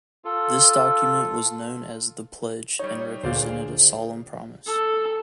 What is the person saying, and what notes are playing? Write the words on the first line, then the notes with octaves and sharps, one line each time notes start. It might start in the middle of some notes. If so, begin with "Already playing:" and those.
This document was known as The Pledge and represented a solemn promise.
F4 A4
G3 D#4 C#5
D2 A#2 D3 G#4 C5 D5 F5
A4